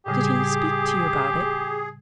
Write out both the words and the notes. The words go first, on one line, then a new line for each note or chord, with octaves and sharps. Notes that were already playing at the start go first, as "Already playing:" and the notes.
Did he speak to you about it?'
A2 C#3 G3 G4 G#4